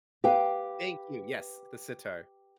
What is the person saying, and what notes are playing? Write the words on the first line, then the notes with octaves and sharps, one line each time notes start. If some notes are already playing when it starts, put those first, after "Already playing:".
Thank you Yes, the sitar.
G4 B4 F5 G5